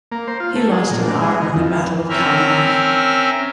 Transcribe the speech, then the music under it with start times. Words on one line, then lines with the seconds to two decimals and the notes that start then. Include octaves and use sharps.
He lost an arm in the Battle of Kalmar.
0.12 A#3
0.28 C5
0.40 F4
0.56 A3
0.71 G#3
0.91 A#2
1.09 D4
1.22 G#3
1.42 D#3
1.56 F2
1.73 F3
2.09 C4 C#4 A#4 E5 F6